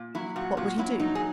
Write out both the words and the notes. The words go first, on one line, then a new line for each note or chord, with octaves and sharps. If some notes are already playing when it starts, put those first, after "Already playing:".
What would he do?
Already playing: A#2
F#3 E4
A#2 F#4
A#2 F#4
F#3 E4
F#3 D#4
G#4